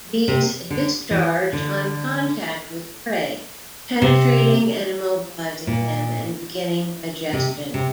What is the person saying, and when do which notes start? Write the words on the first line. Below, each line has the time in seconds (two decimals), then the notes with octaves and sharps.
These discharge on contact with prey, penetrating and immobilizing them, and beginning digestion.
0.28 C3
0.70 D3
1.11 E3
1.53 D3
4.02 C3
5.67 A#2
7.33 C3
7.74 C3